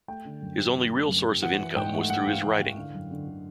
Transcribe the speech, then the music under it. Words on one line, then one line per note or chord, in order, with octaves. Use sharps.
His only real source of income was through his writing.
A3 G5
D3
F#2
F#3
D3
A3
F#2
F#3
E3 F#5
E3
G#2 G5
A3
G#2 F#5
E3 F5
E3 F#5
E3 F#5
D3 F5
F#2
D3
D3